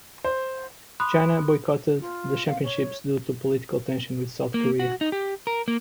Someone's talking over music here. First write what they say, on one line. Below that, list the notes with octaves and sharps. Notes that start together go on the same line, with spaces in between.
China boycotted the championships due to political tension with South Korea.
C5
B5 C6 D#6 F#6
F4
F5
C#5
A#3
F#4
D#4
G4
A#4
A#3